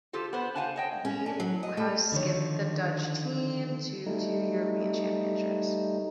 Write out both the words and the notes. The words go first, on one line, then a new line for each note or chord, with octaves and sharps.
Wiebe has skipped the Dutch team to two European championships.
F4 G4 A4 C5
B3 C5
C5 C#5 F5 F#5 G#5 A5
C#5 D#5 G5
C#4
D4
F#3
D#5
A3
D3 D#3 F3 C#5
G3 A3 D#4